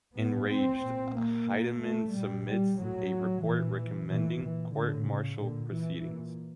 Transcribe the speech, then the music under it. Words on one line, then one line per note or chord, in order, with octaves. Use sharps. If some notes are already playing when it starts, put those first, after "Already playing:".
Enraged, Heidemann submits a report recommending court martial proceedings.
A2 B3
C4
A#2
A#3
A#2
A3
A#2 G3
G3
A2 F#3
A#2 E3
A#2 E3
E3
A2 D3
C#3
A#2 D3
E3
A#2